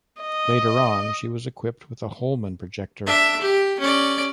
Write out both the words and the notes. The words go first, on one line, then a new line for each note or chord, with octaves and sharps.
Later on, she was equipped with a Holman Projector.
D#5
D4 E5
G4
C#4 D5